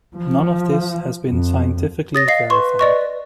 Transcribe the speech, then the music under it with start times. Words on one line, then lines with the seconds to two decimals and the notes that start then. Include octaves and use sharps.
None of this has been scientifically verified.
0.17 F3
1.29 F2
2.15 C#5 D#6 A6 A#6
2.28 D#5 F5 A#6 C7
2.50 B4 C6 C#6
2.79 D5 D#5 C#6